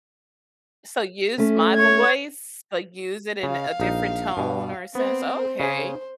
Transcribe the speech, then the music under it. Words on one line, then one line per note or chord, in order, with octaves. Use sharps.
So use my voice, but use it in a different tone or a sense? Okay.
A3 C#4
C#5 G#6
C#3 F5
A#1 D#4
G2 B2
B3 C4 C5
C#3 G#4 C5